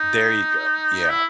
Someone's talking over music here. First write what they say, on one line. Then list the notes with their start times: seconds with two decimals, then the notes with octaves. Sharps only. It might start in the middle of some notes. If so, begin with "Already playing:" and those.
There you go, yeah.
Already playing: D#4
1.09 E4